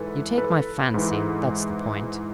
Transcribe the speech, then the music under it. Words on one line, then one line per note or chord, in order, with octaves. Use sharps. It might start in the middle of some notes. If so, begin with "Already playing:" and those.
You take my fancy; that's the point!
Already playing: G#2 E3 A4 B4
A4 B4
G#2 E3